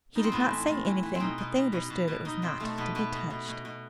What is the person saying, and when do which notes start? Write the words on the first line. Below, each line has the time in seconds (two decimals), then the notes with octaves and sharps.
He did not say anything, but they understood it was not to be touched.
0.15 A2 D#4
0.24 C4
0.32 A2 B3
0.40 C4
0.51 E3
0.68 A2
0.85 E3
1.03 E3
1.15 C4
1.20 B2 D#4
1.38 B2
1.55 B2
1.73 B2
1.90 B2
2.08 B2
2.25 B2 D#4
2.42 B2 C4
2.60 B2 A3
2.78 B2 B3
2.95 B2 B3
3.13 B2
3.30 B2
3.48 B2
3.65 B2